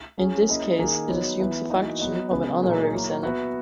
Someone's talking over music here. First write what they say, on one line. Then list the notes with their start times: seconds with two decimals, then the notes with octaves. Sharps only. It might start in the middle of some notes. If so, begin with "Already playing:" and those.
In this case it assumes the function of an honorary senate.
0.17 F#3 C#4 G#4
0.48 A#3 C#4 E4 G#4 D#5
0.78 D#3 A#3 D#4 G#4
1.09 F#3 B3 D#4 F#4 C#5
1.39 E3 B3 E4 B4
1.70 E3 A#3 D#4 F#4
2.00 F#3 B3 F#4 B4 D#5
2.31 C#3 G#3 B3
2.62 A#2 F#3 A#3 D#4 G#4
2.93 F#3 A#3 E4
3.23 B3 F#4 B4 E5